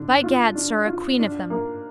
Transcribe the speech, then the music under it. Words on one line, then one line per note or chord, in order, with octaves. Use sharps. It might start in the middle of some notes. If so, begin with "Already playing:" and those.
By gad, sir, a queen of them.
Already playing: D3 D4
F4
D4
F4
D4
A#3